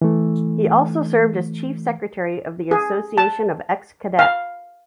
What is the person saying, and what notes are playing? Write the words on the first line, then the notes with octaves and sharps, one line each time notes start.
He also served as chief secretary of the Association of Ex-Cadets.
E3 A3
G#4
A5
F5